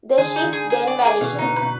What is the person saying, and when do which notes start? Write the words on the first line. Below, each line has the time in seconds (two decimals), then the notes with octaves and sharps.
The ship then vanishes.
0.18 D3 G#4
0.36 D#4
0.43 D3
0.53 G#4
0.70 G#4
0.87 D5
1.05 G#4
1.21 B2 F5
1.31 D3
1.39 B2 D#4
1.56 B4
1.62 B2